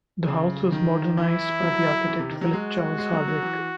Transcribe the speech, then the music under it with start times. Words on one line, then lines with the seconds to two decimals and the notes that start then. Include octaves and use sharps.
The house was modernised by the architect Philip Charles Hardwick.
0.28 C#3
0.72 D#3
1.17 E3 E4
1.62 F#3
2.07 E3
2.19 C3
2.30 D#3
2.41 F#3
2.52 G#3 F#4
2.98 G#3
3.13 F#3
3.28 F#3
3.42 E3